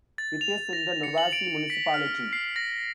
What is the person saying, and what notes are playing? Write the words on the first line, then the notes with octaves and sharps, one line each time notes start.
It is in the Novaci Municipality.
A6
F7
A#6
C#7
F#7
D7
B6
F6
C7
A#6